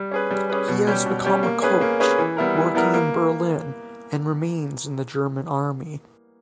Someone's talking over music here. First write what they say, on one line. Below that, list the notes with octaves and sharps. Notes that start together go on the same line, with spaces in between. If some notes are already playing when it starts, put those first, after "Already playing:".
He has become a coach, working in Berlin, and remains in the German army.
Already playing: G3
C#4 G#4 B4
G3
C#4 G#4 B4
B2
G3 C#4 G4
B2
G3 C#4 G4
A#3
C#4 G#4 B4
A#3
C#4 G#4 B4
E3
G3 B3 E4 A#4
E3
G3 B3 E4 A#4
A#3